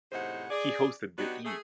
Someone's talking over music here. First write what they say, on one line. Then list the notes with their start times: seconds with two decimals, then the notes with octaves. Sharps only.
He hosted the E!
0.11 E2 A2 C3 D#4 C5 F#5
0.50 G#4 D5
1.18 F#3 B3 D4 D#4 F#4 G4
1.45 A3 G#4